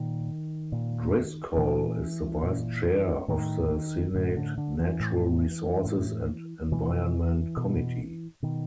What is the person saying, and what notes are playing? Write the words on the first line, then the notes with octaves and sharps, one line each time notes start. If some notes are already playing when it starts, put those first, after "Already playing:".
Driscoll is the vice chair of the Senate Natural Resources and Environment Committee.
Already playing: A#2 D#3
A#2
A#2 E3
A#2
A2 D#3
A2 D3
D3
D3
E3
A2
A2
B2 E3
B2
B2 D#3